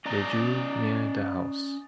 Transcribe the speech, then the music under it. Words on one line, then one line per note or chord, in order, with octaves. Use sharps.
They drew near the house.
C#4 D5 D#5 A#5